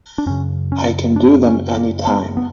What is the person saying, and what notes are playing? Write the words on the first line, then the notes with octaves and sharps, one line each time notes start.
I can do them any time.
D4
F#2 C#3 C#4
C#4
D4
C#4
A#3
B3
B3